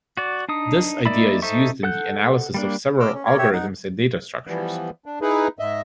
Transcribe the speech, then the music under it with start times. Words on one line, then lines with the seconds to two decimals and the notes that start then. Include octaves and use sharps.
This idea is used in the analysis of several algorithms and data structures.
0.17 F#4 D5
0.49 D4 D#4 D#6
1.05 A#3 D#4 D5 E5 B5
1.42 D#4 A4 C5 E5 C#6
1.83 A4 F#5 F#6 G6
2.54 G3 A#3 D4
3.00 D#5 D6 E6 F6
3.14 C#4
3.26 A#4 C#5 D5
3.38 G4 C#5 E5
3.53 D#4 F#5
4.47 E3 F3 G3 B3
5.06 D4
5.21 D#4 E4 G#4 B4
5.59 G#2 D#5 E5